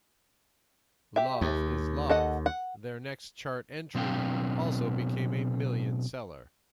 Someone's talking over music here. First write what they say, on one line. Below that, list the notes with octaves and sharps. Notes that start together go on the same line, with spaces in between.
"Love is Love", their next chart entry, also became a million-seller.
G4 E5
D#2
A4 D#5 F#5
F#5
B2 F#3 C4 D4 F5 G5